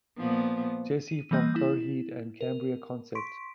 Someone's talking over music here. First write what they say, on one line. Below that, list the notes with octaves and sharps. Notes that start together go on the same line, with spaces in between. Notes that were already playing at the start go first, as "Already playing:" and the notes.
"Jesse" from the Coheed and Cambria concept.
A#2 F3 B3
D#7
E3 G3 A#3 D#5 G6
E4
A#4
C6 C#6 B6 D7